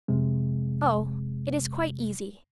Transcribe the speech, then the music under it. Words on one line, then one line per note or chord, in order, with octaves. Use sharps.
'Oh, it is quite easy.
F2 C3 G#3